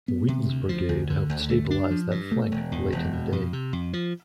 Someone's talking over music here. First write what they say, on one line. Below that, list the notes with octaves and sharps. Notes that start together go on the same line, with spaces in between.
Wheaton's brigade helped stabilize that flank late in the day.
B3
C3
D2
F3
D2
D3
D2
A3
D4
F3
G2
A3
E1
E2
E1
B2
F2
C3
F2
F3